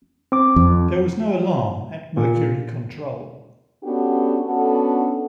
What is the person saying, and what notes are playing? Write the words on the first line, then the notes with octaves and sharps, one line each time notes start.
There was no alarm at Mercury Control.
C4 D6
F2
A#2
B3 C#4 D4 F#4 G4 A4
B3 C#4 D4 F#4 A4